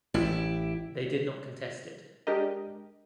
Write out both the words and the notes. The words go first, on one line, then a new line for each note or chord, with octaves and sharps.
They did not contest it.
A1 E4 G4
G#3 D4 G4 A#4 D#5